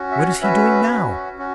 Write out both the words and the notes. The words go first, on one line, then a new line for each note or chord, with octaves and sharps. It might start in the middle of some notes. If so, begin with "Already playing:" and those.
What is he doing now?'
Already playing: C#4 F#4
E5
C#5 F#5
C#4 F#4 B4 E5
C#4 F#4
C#4 F#4